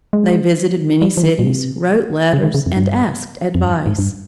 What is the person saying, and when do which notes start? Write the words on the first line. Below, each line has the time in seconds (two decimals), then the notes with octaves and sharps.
They visited many cities, wrote letters, and asked advice.
0.13 G#3
1.02 G3
1.17 F3
1.23 D#3
1.39 A#2
1.45 C3
2.33 C#3
2.43 D#3
2.54 C#3
2.66 F2
2.77 G2
3.55 F2
3.65 G2
3.87 G#2
3.99 G2